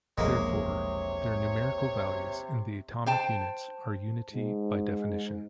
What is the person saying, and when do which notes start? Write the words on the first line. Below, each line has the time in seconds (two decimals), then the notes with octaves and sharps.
Therefore, their numerical values in the atomic units are unity by definition.
0.18 E1 A#1 C3 G#3 A#3 C#5
3.06 C5 G5 A5
4.33 G#2